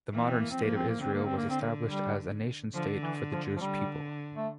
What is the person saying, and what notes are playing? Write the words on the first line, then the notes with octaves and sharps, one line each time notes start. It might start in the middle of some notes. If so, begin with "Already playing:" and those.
The modern State of Israel was established as a nation-state for the Jewish people.
E3 A#3
C4
A#3
C4
F3 A#3
C4
A#3
D3 C4
A#3
C4
A#3
C4
A#3
G3
D3 F3
E3
F3
F3
D3 G3
A3